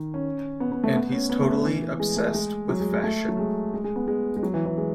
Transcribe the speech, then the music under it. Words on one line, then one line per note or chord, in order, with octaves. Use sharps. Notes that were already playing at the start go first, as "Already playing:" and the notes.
And he's totally obsessed with fashion.
Already playing: D#3
C#4
B3
B3
A3
B3
C#4
B3
A3
E3
G#3
A3
G#3
F#3
G#3
G#3
A3
F#3
G#3
G#3
G#3
B3
G#3
G#3
F#3
E3
E3
G#3